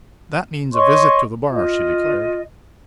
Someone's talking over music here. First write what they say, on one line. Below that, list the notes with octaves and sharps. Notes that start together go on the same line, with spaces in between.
"That means a visit to the bar!" she declared.
C#5 D#5 C6 C#6
F4 D#5